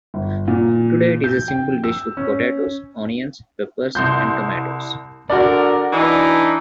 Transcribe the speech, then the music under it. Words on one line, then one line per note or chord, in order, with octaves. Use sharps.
Today it is a simple dish with potatoes, onions, peppers, and tomatoes.
G1
A#2
G6
G5
E6
C#4
C2 C6 G6
D3 F#4 A#4 D5
E3 D4 D#4